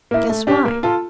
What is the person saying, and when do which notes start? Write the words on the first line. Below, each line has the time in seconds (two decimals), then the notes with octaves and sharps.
Guess why?
0.11 A#3 E4
0.29 A3
0.47 D4 G4
0.66 A#3
0.83 F4 A4